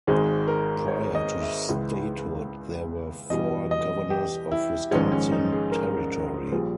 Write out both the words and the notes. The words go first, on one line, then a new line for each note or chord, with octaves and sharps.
Prior to statehood, there were four Governors of Wisconsin Territory.
G#1 G#2 D#3 G#3 G#4
A#4
C#5
D#5
E5
C#2 C#3 E3 G#3
E2 B2 G3 D#5
D#5
G4
E4
A#1 G#2 D#3 G#3 C#4
C#4
D#4
G#4
A#4
A#1 A#2 G3 G#4